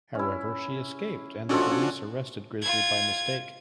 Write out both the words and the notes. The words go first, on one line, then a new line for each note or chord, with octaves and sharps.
However, she escaped and the police arrested Grizzly by mistake.
C#4 E4
F3 C#4 D4 F#4 A4 D#5
F4 G#6